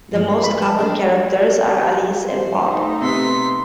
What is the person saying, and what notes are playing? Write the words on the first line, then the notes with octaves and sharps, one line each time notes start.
The most common characters are Alice and Bob.
G2 F3 A#3
B4 B5
A5
D4 A4 A#4
C5
A3 D#4
C3 B3 C6 B6